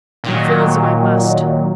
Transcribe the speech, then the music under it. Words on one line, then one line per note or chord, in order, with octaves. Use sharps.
I feel as if I must.
A#2 D#3 F#3